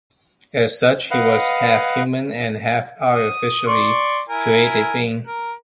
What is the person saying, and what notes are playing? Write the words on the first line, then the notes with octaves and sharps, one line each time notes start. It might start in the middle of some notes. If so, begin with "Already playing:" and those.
As such, he was half human and half-artificially created being.
B4 D#5 F5 F#5
D#6
D5 C6 C#6
E4 A#4 G#5
A#4